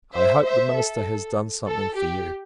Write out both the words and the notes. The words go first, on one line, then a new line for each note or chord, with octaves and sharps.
I hope, the minister has done something for you.
C5 E5
C5 E5
A4
A4
G4